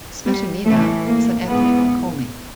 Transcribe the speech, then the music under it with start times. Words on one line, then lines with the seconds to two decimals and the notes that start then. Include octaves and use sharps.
Smetanina is an ethnic Komi.
0.26 G3
0.66 A2 E3 A3
1.07 A#3
1.47 G#2 E3 B3